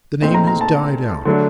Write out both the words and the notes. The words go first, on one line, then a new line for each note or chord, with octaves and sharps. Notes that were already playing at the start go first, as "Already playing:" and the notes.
The name has died out.
A#2 A3 C4 D#4 C6
A#5
A#5
A5
D3 F#3 A3 D4